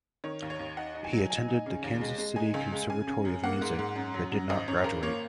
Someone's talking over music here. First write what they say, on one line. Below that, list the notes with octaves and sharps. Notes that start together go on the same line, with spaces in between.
He attended the Kansas City Conservatory of Music, but did not graduate.
D#3 C#5
D#2
C#5
D#2
D#4 F#5
D#4
G#5
F#3
D#4 G#5
D#4
C#3
D#2
G#3
G#3
D#4 G#5
C#2
G#3
C#3 G#5
C#3
F#2
A#3 F#5
G#2
G#2
F#2
F#3
F#2
G#1 D#5
F#2 C#5
G#1 A#4
A#3 C#5